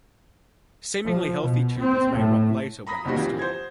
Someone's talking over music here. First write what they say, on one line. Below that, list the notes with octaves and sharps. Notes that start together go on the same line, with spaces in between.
Seemingly healthy tubers may rot later when in store.
F3
B2
C4
A2
A#5 B5 D#6 A#6 B6
F1 F2 A#2 D#3 G3 F#4
E3 F3 G3 C4
C5 G#6